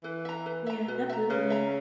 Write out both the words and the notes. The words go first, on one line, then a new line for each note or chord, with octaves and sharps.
Yeah, definitely.
E3 B4
E5 A#5
B4
E5 A#5
B2 B4
E5 A#5
C#3 B4
E5 A#5